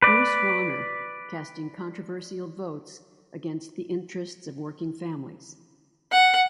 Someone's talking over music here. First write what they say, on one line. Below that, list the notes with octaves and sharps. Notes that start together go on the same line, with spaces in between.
Bruce Rauner, casting controversial votes against the interests of working families.
B4 D5
F#5